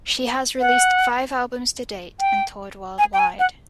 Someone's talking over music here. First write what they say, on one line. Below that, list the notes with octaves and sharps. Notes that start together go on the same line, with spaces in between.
She has released five albums to date and toured worldwide.
F#5
G5
G#5
G5
G#5
F#5